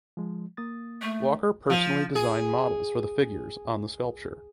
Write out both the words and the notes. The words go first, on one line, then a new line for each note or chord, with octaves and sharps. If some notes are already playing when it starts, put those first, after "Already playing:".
Walker personally designed models for the figures on the sculpture.
F3 G#3
A#3 D#6 A6
A3
F3
G#4